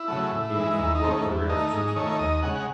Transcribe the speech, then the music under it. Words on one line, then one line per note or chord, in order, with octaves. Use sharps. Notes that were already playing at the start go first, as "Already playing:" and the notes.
He was given four photographs to choose from.
Already playing: E4
C#3 F#3 A3
A2
E3 G#3
D#2 E4
D#4
D#3 A3 C4
C#4
E2
D#3 A3 D#4
G#2 D#4
D#3 A3 C#5
D#2 D#5
C#3 G#3 F#5